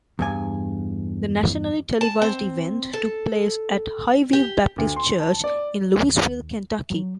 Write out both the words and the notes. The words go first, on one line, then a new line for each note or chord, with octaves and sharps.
The nationally televised event took place at Highview Baptist Church in Louisville, Kentucky.
E2 G2 G#5
A5
C4
A4
G4
D2
C6
A5
D5
D#2
F#3